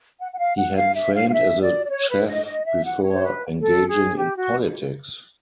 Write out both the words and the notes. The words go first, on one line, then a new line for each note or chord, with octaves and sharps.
He had trained as a chef before engaging in politics.
F#5
F#5
F5
F#5
F5
E5
F5
F5
E5
D5
D5
C#5
B4
D#5
D#5
E5
F#5
C#5
C5
B4
A4
G#4
G4
F#4